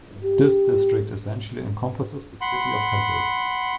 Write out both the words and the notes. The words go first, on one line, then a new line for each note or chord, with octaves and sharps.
This district essentially encompasses the city of Hazard.
G4
F#5 B5 C6